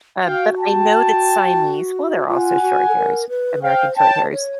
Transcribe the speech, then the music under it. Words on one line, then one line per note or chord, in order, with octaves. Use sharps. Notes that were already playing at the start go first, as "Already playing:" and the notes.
um, but I know that Siamese- well, they're also shorthairs, American Shorthairs-
F#4 F5 G5
G5 A5
F4 F#5 G#5
F#4
A4
A#4
B4
C5 F5 G5
C#5 G5 A5
C5
C#5